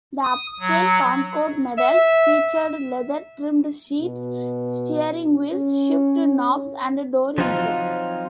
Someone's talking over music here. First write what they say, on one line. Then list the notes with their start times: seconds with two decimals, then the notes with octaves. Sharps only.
The upscale Concorde models featured leather-trimmed seats, steering wheels, shift knobs and door inserts.
0.23 D#6
0.60 F#3
1.78 E5
4.01 B2
5.52 C#4
7.38 F3 F#3 C4 D#4 F4